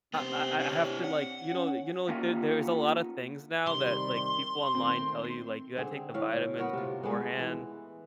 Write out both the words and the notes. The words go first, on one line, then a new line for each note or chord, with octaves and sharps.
I I I have to, like, you know the you know, like there there's a lotta things now that, like, people online tell you, like, you had to take the vitamins beforehand.
C3 B3 C5
D4 C#5
F#5
C#4
A#3 B3 C#4 D#4 F4 G4
C3 D#3 G3 C6
D#3 A3 C4
D3 C4 G#4
A2 F5
B3 F#4 A#4
C3 F4
G#3 A3 B3
E3